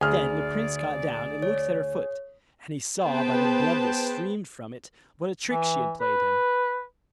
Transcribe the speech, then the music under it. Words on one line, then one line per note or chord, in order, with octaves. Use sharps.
Then the prince got down and looked at her foot; and he saw, by the blood that streamed from it, what a trick she had played him.
D2 G#4 D5 F6
C#5
B3 G#4 B4 C5 G5 A5
E3
B4